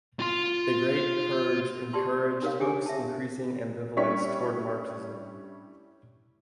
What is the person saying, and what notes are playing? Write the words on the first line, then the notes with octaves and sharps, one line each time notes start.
The Great Purge encouraged Hook's increasing ambivalence toward Marxism.
F4 C6
G4 D5 A5 C6
D#4 A#4 C#5 F5
D4 G4 G#5 D6
E5 A5
G3 C#4 D4 E4 C#6 B6